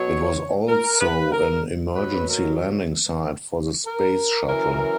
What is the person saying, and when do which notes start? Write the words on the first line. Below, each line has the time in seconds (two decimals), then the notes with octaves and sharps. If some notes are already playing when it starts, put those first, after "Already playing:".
It was also an emergency landing site for the Space Shuttle.
Already playing: B2 F#3 C#5
0.68 A#4
1.00 B4
1.32 A#4
1.95 B2 F#3 B4
2.27 A#4
3.86 A#4
4.48 F#2 E3 A#4